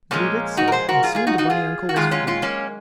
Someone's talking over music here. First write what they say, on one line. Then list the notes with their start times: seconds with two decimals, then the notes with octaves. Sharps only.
Neddie did so, and soon the bunny uncle was free.
0.11 A#2 F3 G#3 A#3 C#4
0.57 D#4 F#4
0.68 A#4
0.72 G#4 C5
0.89 F#4 A#4
1.03 F4 G#4
1.15 F4 G#4
1.27 D#4 F#4
1.38 D#4 F#4
1.50 F4 G#4
1.89 F#4
1.96 F#2 D#3 G#3 F4 G#4
2.11 C#4 F4
2.27 C#4 F4
2.42 A#3 C#4